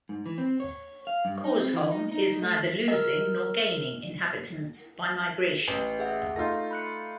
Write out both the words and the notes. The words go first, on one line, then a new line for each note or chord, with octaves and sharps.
Korsholm is neither losing nor gaining inhabitants by migration.
G#2
E3
C4
C#5
F5
G2
D#4
C4
E3
D#4
D#4
A3
A#4 D#5 F6
A1 B4
G#4 E5 F#5
A3 D#4 F4 A#6
B5 F#6 C#7